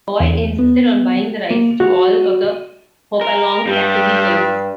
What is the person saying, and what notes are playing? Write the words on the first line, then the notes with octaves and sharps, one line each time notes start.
Boyd insisted on buying the rights to all of the Hopalong Cassidy films.
E2
B3
A#3
F#4
A#4
G2 G3